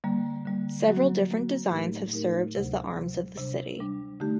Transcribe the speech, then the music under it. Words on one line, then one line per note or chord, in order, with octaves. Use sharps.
Several different designs have served as the arms of the city.
D3 G3 A#3
D3 G3 A#3
F#3 A#3 F#4
F#3 A#3 F#4
A2 A3 D#4 G4 A#4
A2 A3 D#4 G4 A#4
D2 C3 F#3
D2 C3 F#3
C3 G3 D4
C3 G3 D4
D3 A3 D#4 G4